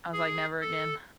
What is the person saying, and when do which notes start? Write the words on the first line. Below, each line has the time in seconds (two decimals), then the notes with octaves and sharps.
I was like, "Never again."
0.13 G#4
0.61 A4